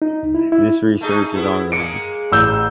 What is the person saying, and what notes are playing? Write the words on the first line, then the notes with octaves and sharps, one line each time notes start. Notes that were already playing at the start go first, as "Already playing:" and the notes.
This research is ongoing.
D#4
C#2
E4
E4
A3 D#4 G#4
B3 E4
G#3 A#3 C#7 D7
A1 E6 G6